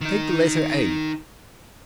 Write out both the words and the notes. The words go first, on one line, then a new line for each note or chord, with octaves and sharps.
Take the letter a.
D#3 D#4